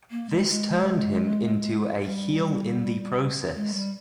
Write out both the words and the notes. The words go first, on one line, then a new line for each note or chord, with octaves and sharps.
This turned him into a heel in the process.
A#3
G#3
G#3
G3
G#3
G3